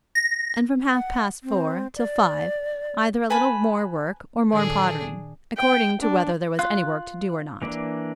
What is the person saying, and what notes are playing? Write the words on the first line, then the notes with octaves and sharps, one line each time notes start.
And from half past four till five either a little more work or more pottering, according to whether there was any work to do or not.
A#6
F#5
C4
D5
B4 G#5 A5 B5
A#2 D#3 D4 G#4 A4
G5
D4
F4 F#6
E3 A#3 D4